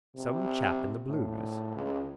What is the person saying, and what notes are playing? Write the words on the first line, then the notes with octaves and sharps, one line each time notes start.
Some chap in the blues.
C3
A2
C#2